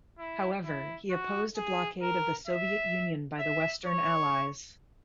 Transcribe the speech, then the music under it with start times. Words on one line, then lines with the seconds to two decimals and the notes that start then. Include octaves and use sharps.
However, he opposed a blockade of the Soviet Union by the western Allies.
0.19 E4
0.65 E4
1.10 F#4
1.57 G#4
2.02 A#4
2.47 E5
3.39 E5
3.86 C#5